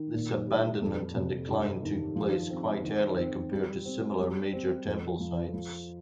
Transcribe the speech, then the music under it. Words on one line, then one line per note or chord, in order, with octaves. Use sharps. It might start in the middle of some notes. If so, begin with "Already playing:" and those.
This abandonment and decline took place quite early compared to similar major temple sites.
Already playing: D#3
A#2
G3
F2
C3
G2
D#3
F3
C4
D#3
C4
G3
C4
G3
C4
F2
F3
F3